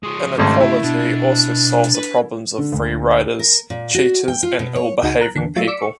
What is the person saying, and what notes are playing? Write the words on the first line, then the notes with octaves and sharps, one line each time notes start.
Inequality also solves the problems of free-riders, cheaters and ill-behaving people.
F3 G#3 C6 C#6 D#6
G#1 G#2 C#3 A3 A5
E4
B2 D4
B4
D3
D2
A#4
A#2
F#4
G5
F4
B2
C#5
C#2 D#4 F#4 D#7
A#5 F#6
E2 D3
F#3 A3 F4
D5 E6 B6 C#7 D7
C#6